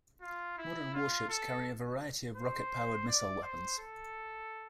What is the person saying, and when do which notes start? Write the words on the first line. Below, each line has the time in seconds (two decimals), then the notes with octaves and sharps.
Modern warships carry a variety of rocket-powered missile weapons.
0.22 F4
0.58 E4
0.94 F4
1.29 A4
2.37 C5
3.08 D5
3.43 C5
3.79 A4